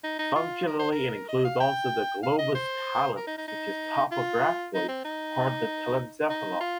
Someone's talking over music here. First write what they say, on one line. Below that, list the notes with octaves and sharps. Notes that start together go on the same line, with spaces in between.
Functionally it includes also the globus pallidus which is topographically part of the telencephanol.
D#4
D#4
F4
A#4
C5
A#4
D#5
F5
G5
F5
D#5
C5
A#4
D#4
D#4
D#4
F4
D#4
C4
D#4
D#4
F4